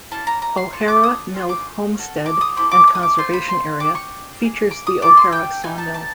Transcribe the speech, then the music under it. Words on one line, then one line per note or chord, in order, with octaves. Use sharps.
O'Hara Mill Homestead and Conservation Area features the O'Hara Sawmill.
A#3 C#4 E4 A5
A#5
A#5
C6
D4 F4 A4 C#6
D6
D#6
A3 C#4 F4 G#4
D6
C#4 F#4 A4
D6
D#6
C4 E4 A4 D6
D6
D6
D#6
D6
A3 C4 F4 C6
B5
C6
D4 G4 D6
C#6
A#3 D#4 G#4
D6
D#6
A#3 D4 F#4 A4 D6
C6
G5
B3 D#4 G4 G#5
A5
A5